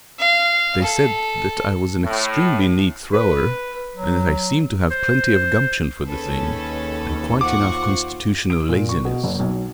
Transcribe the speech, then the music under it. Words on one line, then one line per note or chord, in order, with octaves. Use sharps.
They said that I was an extremely neat thrower, and that I seemed to have plenty of gumption for the thing, and quite enough constitutional laziness.
F5
A4
A2
B4
F#3
C5
D#2 C#4 G#4 A4 B4
F4 F#4 C5 F#5 C#6 D6
D7
A#2
C#6
B2
F#1
B1